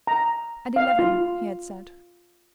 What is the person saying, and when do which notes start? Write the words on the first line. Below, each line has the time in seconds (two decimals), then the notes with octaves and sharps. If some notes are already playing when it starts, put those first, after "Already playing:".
'At eleven,' he had said.
0.07 A#5
0.76 F5
0.99 F4